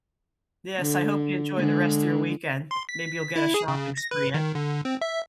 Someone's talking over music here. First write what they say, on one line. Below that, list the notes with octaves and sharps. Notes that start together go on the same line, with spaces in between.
Yes, I hope you enjoy the rest of your weekend. Maybe you'll get a shopping spree in.
D3
D3 G#3
C6
B6
E4
G#4
C#3
A#6
B4
D#3
D3
C4
E5